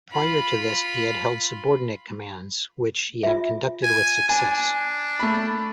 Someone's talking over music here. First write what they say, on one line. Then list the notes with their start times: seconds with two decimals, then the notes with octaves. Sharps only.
Prior to this he had held subordinate commands which he had conducted with success.
0.12 F4 B5
3.23 F4 E5
3.84 G#5
4.29 D4 G#5
5.19 A3 B5